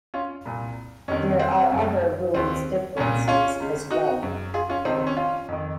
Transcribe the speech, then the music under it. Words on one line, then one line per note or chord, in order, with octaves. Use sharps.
There are other rules differences as well.
C#4 F4
C2 A#2
F2 C3 D#3 C#4
C4
F#2 C#3
D#2 C#3 C4
C2 A#2 C#4
C#4 F4
C#2 C#3
D#4 F#4
F#2 C#3
F4 G#4
C#4 F4
C#2 C3 D#3 C4 D#4
C4
C#4
C#4 F4
F2 D#3